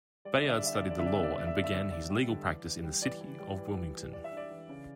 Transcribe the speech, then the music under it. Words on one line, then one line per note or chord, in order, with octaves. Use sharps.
Bayard studied the law, and began his legal practice in the city of Wilmington.
G3 D5
E5
D3 D5
E5
D5
G3 E5
D5
D3 E5
D5
D3 E5
D5
B3 E5
D5
E5
D3 D5
E5
D3 D5
E5
D3 D5
D3 D5
G3
D3
E3
E3
G3
E3 D5
E3
G3
E3
E3
E3
E3 D5
E5
D4
D5
E3
C#3